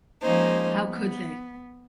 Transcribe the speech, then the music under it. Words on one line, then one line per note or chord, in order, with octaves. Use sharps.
How could they?
F3 G#3 A#3 C#4 D#4 C5
B3